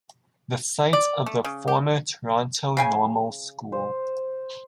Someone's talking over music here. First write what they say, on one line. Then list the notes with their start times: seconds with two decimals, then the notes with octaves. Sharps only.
The site of the former Toronto Normal School.
0.93 D5
1.26 A3
1.44 C#3
1.68 G4
2.77 C#3 G5 G#5
3.72 C5